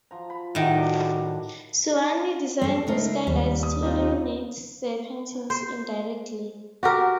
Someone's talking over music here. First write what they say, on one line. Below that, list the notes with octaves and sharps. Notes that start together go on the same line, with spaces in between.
Soane designed the sky lights to illuminate the paintings indirectly.
F3 A#5
B5
A2 D#3 F#3 G3
D4
G2 A4 C#5 C7
C#2 A3 D#4 A#4
D#2 G3
D#6
D#4 F4 G4
C5
F#4 G4 A#4